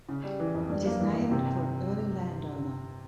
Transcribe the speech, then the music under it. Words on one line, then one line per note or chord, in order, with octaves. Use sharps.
It is named for an early landowner.
C#3
G3
E3
F2
G2
A#3
E3
G1
C3